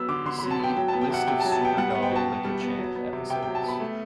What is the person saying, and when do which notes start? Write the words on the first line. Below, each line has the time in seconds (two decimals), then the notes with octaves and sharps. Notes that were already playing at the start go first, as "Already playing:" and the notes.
See "List of Super Doll Licca-chan episodes".
Already playing: F#3 B3 E6
0.09 D3 D6
0.25 D3 C6
0.39 B5
0.43 F#3
0.51 A5
0.59 B3 G5
0.76 F#3 G5
0.88 A5
0.93 B3
1.01 G5
1.10 C3 F#5
1.27 C3 G5
1.40 A5
1.44 F#3
1.52 A5
1.61 B3 G5
1.77 G3 F#5
1.90 F#5
1.95 B3
2.03 G5
2.11 B2 A5
2.28 B2
2.45 G3
2.62 B3
2.79 F#3
2.95 B3
3.13 C3
3.30 C3 G5
3.42 G5
3.47 F#3
3.55 A5
3.63 B3 B5
3.80 A3